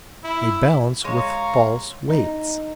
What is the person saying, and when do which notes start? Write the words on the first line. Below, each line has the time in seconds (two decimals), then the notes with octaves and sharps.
A balance with false weights.
0.24 E4
1.04 G#3 C#5 F5 A#5 C#6
2.10 D#4